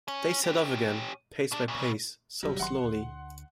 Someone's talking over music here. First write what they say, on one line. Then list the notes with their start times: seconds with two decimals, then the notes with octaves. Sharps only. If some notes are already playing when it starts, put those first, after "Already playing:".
They set off again, pace by pace, so slowly.
0.08 C#4
0.44 C#4 G4
1.52 B2 D4
1.68 A#2 C#3
2.43 D1 C#3 F#3 G3
2.60 G1 D#3 F#3 F#5 C6
2.83 D2